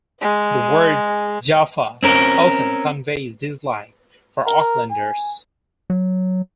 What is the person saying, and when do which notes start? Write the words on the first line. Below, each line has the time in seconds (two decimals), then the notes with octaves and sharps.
The word Jafa often conveys dislike for Aucklanders.
0.21 G#3
2.03 C4 C#4 A#4
4.47 A#4
4.91 G#5
5.90 F#3